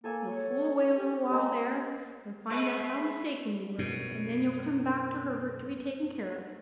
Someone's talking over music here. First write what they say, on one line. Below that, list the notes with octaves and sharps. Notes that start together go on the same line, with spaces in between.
You'll fool away a little while there, and find out how mistaken you were; and then you'll come back to Herbert to be taken care of.
A#3 A4 G#5 E6
C#5
G4
G#3 A#3 B3 G4
G#3 B4 E5
F#2 B2